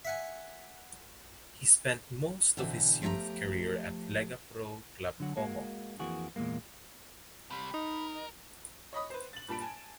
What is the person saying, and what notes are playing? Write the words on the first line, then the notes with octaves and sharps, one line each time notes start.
He spent most of his youth career at Lega Pro club Como.
E5 F#5 G#5
B2 D3 E3 C4
F3 A3 G4 F#5 A#5
D3 F#3 F#4
G#3 A#3 F#4
F2 E3 A#3 F#4 G#4
E2 A#2 E3 G#3 A#3
C3 G3 B5
D#4 A#4
D#5
C#5 D#5 B5 D#6
B4 C5
A6 F#7
G2 A#2 A5 B5 D7
G#5 A5